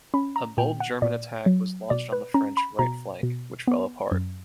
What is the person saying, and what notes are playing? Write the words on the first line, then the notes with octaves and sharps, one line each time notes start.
A bold German attack was launched on the French right flank, which fell apart.
C#4 B5
A#5
A#2 G5
F#5
A#2 D5
F#3
B2 D5
B4
C#4 A#5
B5
B2 A#5
B2
B3
F#2